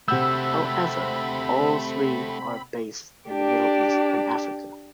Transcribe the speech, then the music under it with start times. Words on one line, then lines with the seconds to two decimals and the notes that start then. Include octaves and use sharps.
However, all three are based in the Middle East and Africa.
0.08 C3 A3 C4 F#4 F#5 B5 E6 G6
3.29 D4 G4